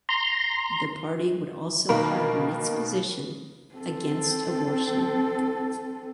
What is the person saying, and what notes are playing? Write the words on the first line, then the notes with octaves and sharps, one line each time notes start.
The party would also harden its position against abortion.
A#5 C6
B2 D#3 A#3 A#4 B5
C4 A4